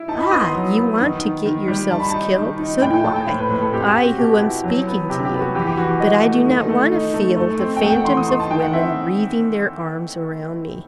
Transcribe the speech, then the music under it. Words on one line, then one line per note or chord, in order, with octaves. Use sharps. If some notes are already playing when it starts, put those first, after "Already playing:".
Ah! you want to get yourselves killed, so do I--I, who am speaking to you; but I do not want to feel the phantoms of women wreathing their arms around me.
Already playing: E4
D#4 A5
B5
B3 D#6
C6
F#3
B3
D#3
D#3
D#3
G3
D#3 A5
B5
A5
D#4
D#3
D#4
A2 G5
G5
A2 A5
G5
A2 C5
B4
A2 B4
A4
C4 G4
G4
C4
F#4
B2 G4
E4
F#3
B3
C3 G4
G4
B3
F#4
E3 G4
G4
E3 F#4
G4
E3 D#5
A3
D#3
A3
D#4
A3
A3
C4
G5
A3 F#5
G5
F#5
E3 C6
D#6
D#4 C6
A5
D#3 G5
F#5
C4 E5